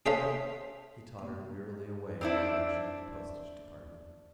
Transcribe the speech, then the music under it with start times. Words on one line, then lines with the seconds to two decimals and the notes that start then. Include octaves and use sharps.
He tottered wearily away in the direction of the Postage Department.
0.06 G#4 A4 C5 C#5 E5 F5
2.21 C4 D4 E4